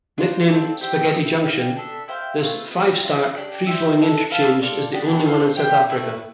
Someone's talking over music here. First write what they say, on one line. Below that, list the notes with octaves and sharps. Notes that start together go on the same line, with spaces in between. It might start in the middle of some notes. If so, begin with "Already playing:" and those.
Nicknamed "Spaghetti Junction", this five-stack free-flowing interchange is the only one in South Africa.
D4 F4 C5
C4 F4 A4 D5
G4 C5 E5 G5
C4 E4 B4
G4 D5 F5
D4 A4 E5
E4 G4 C5 F5
A3 C4 F4 B4
B3 E4 G4
D4 F4 B4 E5
D4 G4 D5
E4 G4 C5
D4 A4 E5
E4 B4 F5 A5
F4 A4 D5
B3 D4 G4
F4 A4 C5
G4 C5 E5 G5
A3 E4 B4